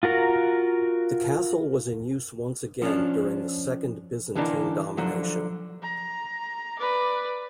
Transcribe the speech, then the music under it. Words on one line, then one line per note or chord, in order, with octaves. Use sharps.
The castle was in use once again during the second Byzantine domination.
F4 F#4 A#4 A#5
F3 C#4 D4
D3 E3 A#3 D4 D#4
D3 F3 F#3
A#5
B4 D5